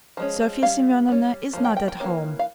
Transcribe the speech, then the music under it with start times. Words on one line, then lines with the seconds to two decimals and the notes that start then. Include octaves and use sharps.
Sofya Semyonovna is not at home.
0.17 F3 G#3 C#4
0.62 G3 C#4 F5
1.09 G3 C#4
1.53 F3 A#3 C#4
1.65 G5
1.77 G5
1.88 G5
2.00 E3 A#3 C#4
2.39 F5